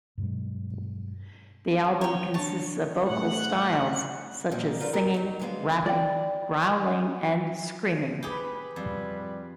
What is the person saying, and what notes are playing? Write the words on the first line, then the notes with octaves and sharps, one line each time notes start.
The album consists of vocal styles such as singing, rapping, growling and screaming.
G2 B2 F#3 G#3
C#5 G5 A#5
D4 C#5 A5
A2 F#5
A#2 D#3 G3 F4 F#4 A4
D#4 F4 F#4 A#4 B4 D5
F#3 B3 C#4 G4 A#4
F#3 D#4
G#2 D3 G#3 B3 F5
D5 G5
G4 G#4 B4 B5
F2 G3 B4